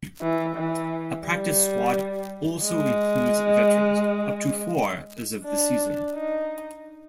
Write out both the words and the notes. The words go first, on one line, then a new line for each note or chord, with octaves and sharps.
A practice squad also includes veterans, up to four as of the season.
E3
E3
G3
G#3
D4
D#4